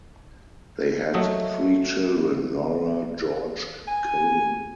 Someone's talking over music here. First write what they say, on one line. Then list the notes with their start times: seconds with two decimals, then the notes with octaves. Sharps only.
They had three children: Nora, George and Colin.
1.14 F#3 A3 D#5 E5
3.88 G#5